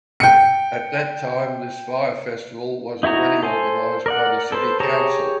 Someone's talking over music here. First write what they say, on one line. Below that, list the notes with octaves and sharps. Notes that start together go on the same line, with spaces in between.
At that time this fire festival was already organised by the city council.
G5 C#7
D#4 E4 F#4 A#5
A4 C5 G#5
A#4 D5 F#5
A4 B4 C5
G4 G#4 C#5 A5 A#5